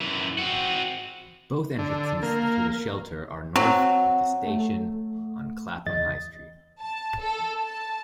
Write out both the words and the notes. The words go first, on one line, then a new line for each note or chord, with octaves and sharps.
Both entrances to the shelter are north of the station on Clapham High Street.
F#2 E3
C4 F#4
D3
A#3
F#3 C4
A3
E2 D#5 A6
A5
A4
A5